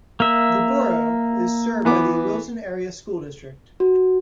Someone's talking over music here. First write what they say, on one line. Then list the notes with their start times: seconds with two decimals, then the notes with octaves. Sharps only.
The Borough is served by the Wilson Area School District.
0.20 A#3 E5
1.85 E3 B3 D6
3.80 F#4